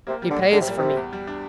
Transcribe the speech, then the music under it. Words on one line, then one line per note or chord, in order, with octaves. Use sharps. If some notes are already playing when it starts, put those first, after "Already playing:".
"He pays for me."
C3 A#3
G3
D3
A2
D3 G3
C3
A#2 G3
C3
G3
E2
G3
D4